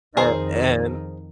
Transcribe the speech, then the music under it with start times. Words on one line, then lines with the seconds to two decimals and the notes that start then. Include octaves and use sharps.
a and
0.17 F2 D#3 G#4 A#4 C5